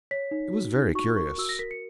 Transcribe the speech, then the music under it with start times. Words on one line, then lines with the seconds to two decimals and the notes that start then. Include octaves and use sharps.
It was very curious.
0.11 C#5 B6
0.31 D#4
0.53 F#4
0.75 D#4
0.95 F#4 C#6
1.16 A#4 C#6
1.38 F#4 E6
1.49 A#6
1.59 A#4 B6
1.71 C#7